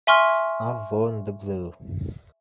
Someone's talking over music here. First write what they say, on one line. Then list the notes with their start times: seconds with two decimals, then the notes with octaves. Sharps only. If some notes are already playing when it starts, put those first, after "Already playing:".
I’ve worn the blue.
0.07 E5 G#5 C6 C#6 F6